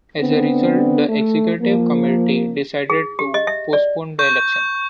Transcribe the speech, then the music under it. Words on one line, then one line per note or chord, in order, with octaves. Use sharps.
As a result, the executive committee decided to postpone the election.
D3 B3 C4 D4
A3
F3 A#3
G#4
G4
D#5
E5
D5
C#6 G6